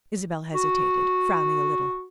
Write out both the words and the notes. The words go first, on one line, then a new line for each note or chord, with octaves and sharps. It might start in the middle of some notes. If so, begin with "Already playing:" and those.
Isabel hesitated, frowning a little.
F#4